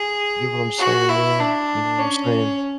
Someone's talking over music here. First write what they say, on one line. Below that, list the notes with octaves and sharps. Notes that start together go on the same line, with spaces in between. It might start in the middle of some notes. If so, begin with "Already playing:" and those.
You know what I'm saying, man? You know what I'm saying?
Already playing: G#4
F#4
E4
D4
C#4